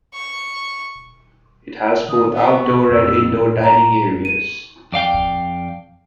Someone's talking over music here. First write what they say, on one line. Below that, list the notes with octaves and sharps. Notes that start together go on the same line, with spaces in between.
It has both outdoor and indoor dining areas.
C#6
D#3 D#6
B3 F5
C#6
F2 E6
A#5
D#7
F2 D5 F5 G5